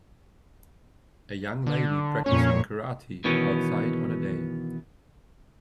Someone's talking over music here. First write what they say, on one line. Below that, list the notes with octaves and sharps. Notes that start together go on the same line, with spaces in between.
A young lady practicing karate outside on a day.
D3
F2 A#2 C#4 C#5
B2 D#3 E3 B3 C#4